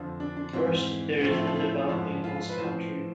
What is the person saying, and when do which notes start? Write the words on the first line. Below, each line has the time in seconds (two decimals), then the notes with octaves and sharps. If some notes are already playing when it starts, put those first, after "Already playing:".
First, there is the developing host country.
Already playing: F2 D3 F3
0.20 D4
0.37 D4
0.53 G#2 E3 C4
1.21 A2 C4
1.25 F3
1.30 E4
1.39 F4
1.47 A4
1.56 E4
1.89 G#2 F3
2.24 F4
2.49 B4
2.57 A2 F3 C5